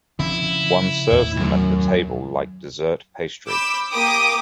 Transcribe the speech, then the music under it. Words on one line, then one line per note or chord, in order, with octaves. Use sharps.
One serves them at the table like dessert pastry.
C#3 F3 C4 E4
D#2 A2
C2 F#2
B5 D6 E6 G6
A#3 G4 G5 D6 D#6